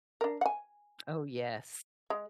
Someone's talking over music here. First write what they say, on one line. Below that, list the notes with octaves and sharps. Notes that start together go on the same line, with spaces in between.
Oh, yes.
D4 A#4
F#5 G#5
G#3